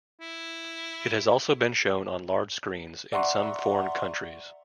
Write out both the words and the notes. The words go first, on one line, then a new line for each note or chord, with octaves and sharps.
It has also been shown on large screens in some foreign countries.
E4
D5 E5 F#5 A#5 C6 C#6